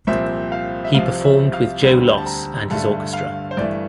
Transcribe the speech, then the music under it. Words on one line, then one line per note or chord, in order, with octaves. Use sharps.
He performed with Joe Loss and his orchestra.
C2 A#2 F3 C4 E5
F5
E5
C2 C3 F3 F5
E5
F5
D2 D3 G3 C4
A5
A#5
G2 D3 A3 A5
F5
C5
G2 E3 A3 D5